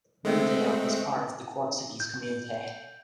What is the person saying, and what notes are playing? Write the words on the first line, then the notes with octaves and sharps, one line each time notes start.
Riverdale is part of the Quad-Cities community.
G#3 A3 C4
G6